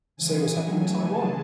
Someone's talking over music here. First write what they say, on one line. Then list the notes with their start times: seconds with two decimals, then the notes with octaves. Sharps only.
The same was happening in Taiwan.
0.16 C#3 E3 G#3 G#5
0.62 C#3 F#3 A3
1.06 C#3 E3 G#3 A5